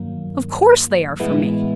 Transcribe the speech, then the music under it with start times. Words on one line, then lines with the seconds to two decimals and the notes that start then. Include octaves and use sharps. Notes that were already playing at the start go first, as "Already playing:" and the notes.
Of course they are for me.'
Already playing: G2 D#3 F#3 A#3
1.20 A2 E3 G#3 B3 E4